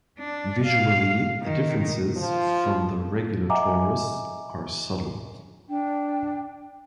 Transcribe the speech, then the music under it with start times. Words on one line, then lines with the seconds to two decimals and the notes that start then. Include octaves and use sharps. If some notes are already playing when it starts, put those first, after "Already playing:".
Visually, the differences from the regular Taurus are subtle.
0.19 D4
0.64 F5
1.43 D#3
2.17 F3
3.49 D#5 E5 F#5 G#5 A#5 D6
5.70 D4 G5